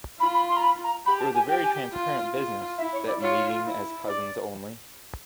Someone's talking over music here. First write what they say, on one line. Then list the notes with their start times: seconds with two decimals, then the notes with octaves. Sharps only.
It was a very transparent business, that meeting as cousins only.
0.19 F4 B5
0.34 B5
0.48 C6
0.57 A#5
0.62 B5
0.84 A#5
1.06 G4 B5
1.20 A5
1.35 G#5
1.48 G4 G5
1.63 G#5
1.92 F4
2.35 F4
2.78 E4 E5
2.92 C#5
3.06 D5
3.21 F4 C#5
3.64 E4
4.07 D5